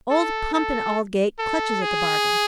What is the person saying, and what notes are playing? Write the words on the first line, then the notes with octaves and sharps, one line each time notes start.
Old Pump and Aldgate clutches at the bargain.
A4
A4
A4
G#4